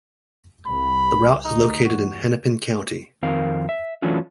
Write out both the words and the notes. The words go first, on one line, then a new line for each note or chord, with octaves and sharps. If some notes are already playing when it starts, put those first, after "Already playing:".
The route is located in Hennepin County.
C2 B5
D2 D#4
E2 G2 F#4
F2 D#3 C4 A#4 F5
E5
E3 F#3 A3 C#4 D4 F4